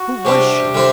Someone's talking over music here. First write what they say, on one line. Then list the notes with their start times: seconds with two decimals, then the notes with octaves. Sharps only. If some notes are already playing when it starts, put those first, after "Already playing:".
Who was she?
Already playing: F#4
0.25 C3 G3 D4 G4
0.74 D3 G3 C4 E4